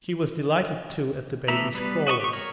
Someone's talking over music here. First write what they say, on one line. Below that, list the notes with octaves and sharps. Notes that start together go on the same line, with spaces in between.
She was delighted, too, at the baby's crawling.
E3 A3 B3 E5 A#5
G3 B3 B4
F#4 D#5 A5 C#6
G4 C#6
A#4 C#5